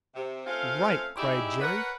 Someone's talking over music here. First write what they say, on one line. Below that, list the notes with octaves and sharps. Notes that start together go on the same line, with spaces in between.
"Right!" cried Jerry.
C3
A3 C4 C#4 F4 F5
D#4 E4 G4 G#4 D5 E5
A#4 B4 C#5 F#5